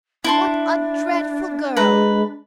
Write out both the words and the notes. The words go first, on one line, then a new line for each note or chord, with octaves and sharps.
"What a dreadful girl!"
D4 E4 A5 C6
G#3 B4 A#5